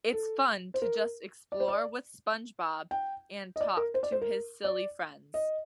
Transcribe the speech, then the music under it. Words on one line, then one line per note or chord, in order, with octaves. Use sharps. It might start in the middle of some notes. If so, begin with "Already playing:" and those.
It's fun to just explore with SpongeBob and talk to his silly friends.
A4
C5
A#4
D5
C5
D5
G5
D#5
D5
A#4
C5
D5
C5
A#4
D5
D#5